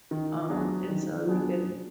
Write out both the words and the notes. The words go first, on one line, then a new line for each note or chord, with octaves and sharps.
Um, and, so, even
D#3
F#3 B3 D4 G#4
D#3
F#3 B3 D4 G#4